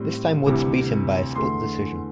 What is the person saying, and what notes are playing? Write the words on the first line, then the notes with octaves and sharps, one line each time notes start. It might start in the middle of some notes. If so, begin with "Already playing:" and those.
This time Woods beat him by a split decision.
Already playing: A2 G3 C4
D2 C3 E3 G3 D6
E2 D3 A3 C6